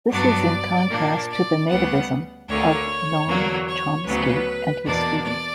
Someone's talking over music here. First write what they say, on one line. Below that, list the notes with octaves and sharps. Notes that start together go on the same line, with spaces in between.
This is in contrast to the nativism of Noam Chomsky and his students.
G2 F#3 B3 D4 D5
A#2 A#3 D4
D5
D2 C#3 G3 B3 F#5
D2 D3 A#3 C#5
E2 D3 F#3 A#3
C#5
D2 C#3 F#3 B3 B4
E2 B2 A#3 D4 D5
D5